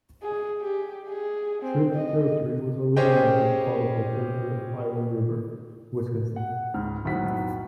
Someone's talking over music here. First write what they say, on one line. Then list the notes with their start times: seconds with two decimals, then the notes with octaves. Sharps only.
Tripp Territory was originally a part of the territory of Iron River, Wisconsin.
0.22 G#4
0.61 G4
1.08 G#4
1.62 C4
1.94 D#5
2.96 C#4 G4 G#4 C5 D#5 G5
6.36 F#5
6.74 C#2 G#2 F6
7.05 F1 B1 A2 D#4 F#5 B6